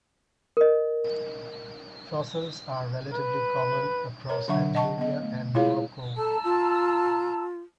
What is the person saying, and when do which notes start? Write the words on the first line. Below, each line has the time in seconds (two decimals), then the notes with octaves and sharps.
Fossils are relatively common across Algeria and Morocco.
0.57 A#4 D#5
3.13 B4
4.28 A#4 C#5 A#5
4.48 D3 F#3 D4 E5 F#5 C#6
4.75 D#5 F#5 A5 C#6
4.98 B3 D#5
5.22 A3
5.54 G#3 E4 F4 G#4 C#5 F5
6.17 A4 A5 A#5 E6
6.44 F4